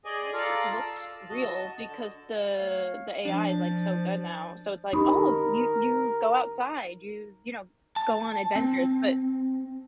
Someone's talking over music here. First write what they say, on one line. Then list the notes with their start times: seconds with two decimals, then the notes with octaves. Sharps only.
But it actually looks real, because the the AI is, like, so good now. So it's like, "Oh, you you go outside. You, you know, go on adventures." but
0.05 G#4 D5 D#5 G#5
0.33 F4 A4 D5 F5 A#5
0.71 E6
1.29 F#4 D#5 A5
1.86 D3
2.57 A3 C#5 F5
3.25 F3 D4 A6
4.93 D#4 G4 A#4 B5 D#6
7.96 A5
8.56 C4